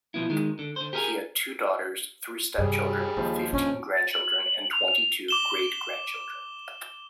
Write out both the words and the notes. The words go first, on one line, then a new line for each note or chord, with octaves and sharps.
He had two daughters, three step-children, fifteen grandchildren, and twenty-two great-grandchildren.
B2 F3 B3 E4
D#3 G#3
D3
D3 C5
G4 G#4 A#4 D#5 G#5
G2 C3 G3 G#4
D#2 F3 D4
A2 C#4 D4
A6
F#7
F7
D6 E7 G7